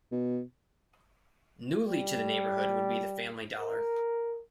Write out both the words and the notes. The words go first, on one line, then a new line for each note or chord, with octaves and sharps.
Newly to the neighborhood would be the Family Dollar.
B2
G3
A#4